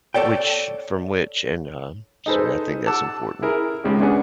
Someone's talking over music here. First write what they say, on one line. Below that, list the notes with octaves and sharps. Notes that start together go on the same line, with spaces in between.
which from which and, uh, so I think that's important.
A4 C#5 D5 G5
D#4 G#4 A4 B4 C5
F#5 A5 D6 E6
E4 G#4 A#4
G#1 C#2 G#3
B3 C#4 D4 G#4 F#5 G#5